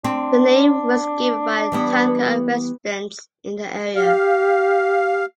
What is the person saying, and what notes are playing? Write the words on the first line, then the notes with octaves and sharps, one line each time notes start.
The name was given by Tanka residents in the area.
C4 D4
E3 G3 B3
G4 F5